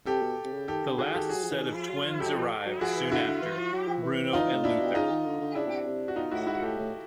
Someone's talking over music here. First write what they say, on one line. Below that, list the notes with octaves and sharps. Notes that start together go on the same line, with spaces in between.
The last set of twins arrive soon after - Bruno and Luthor.
C3 G4 A4
B2
C3
C#3
D#3 G4 A4
D3
D#3 F#4 G#4
G4 A4
F#4 G#4
F#3
F3
E3
D#3
F3
F#3
F3
F#3 G4 A4
F3
F#3
F3 F#4 G#4
E3
D3 E4 F#4
D3
E3
F3
F#3
F3
E3
D#4 F4
A2
A#2 D4 E4
B2
C#3 D#4 F4
D#3
D3
D3
C#3 D4 E4
B2
C3
C3
F#4
B2 D#4 F4
A2 E4 F#4
G#2 E4 F#4
A2 G4 A4
A2